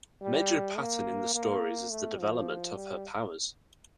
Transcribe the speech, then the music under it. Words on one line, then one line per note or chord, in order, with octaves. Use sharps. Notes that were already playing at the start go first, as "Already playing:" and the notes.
A major pattern in the stories is the development of her powers.
G3
A#3
A#3
A3
F3
G3